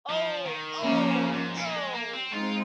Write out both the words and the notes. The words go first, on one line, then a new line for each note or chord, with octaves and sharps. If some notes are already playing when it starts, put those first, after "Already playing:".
Oh, oh, oh.
F3
D#3
C#3 F3 A#3 C#4
C3
C#3
G#2
A#2
A#3
G#3
A#3
C4
G#3 C4 D#4 F4